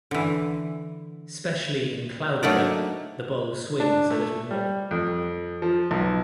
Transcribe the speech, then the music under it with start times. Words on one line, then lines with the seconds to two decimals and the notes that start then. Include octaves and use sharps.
Specially in cloudy weather the bowl swings a little more.
0.11 D3 E3
2.43 F#3 A3 A#3 D4 D#4 D5
3.80 D4
4.10 A3
4.51 G3
4.91 F2
5.62 F3
5.91 B1